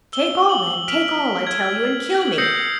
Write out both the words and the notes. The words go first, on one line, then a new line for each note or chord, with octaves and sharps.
"Take all, then--take all, I tell you, and kill me!"
E6 G7
F#7 G7
F6 B6 D7 F7 F#7
G#6
F#7
D#6 E6 G6 A#6 C7 C#7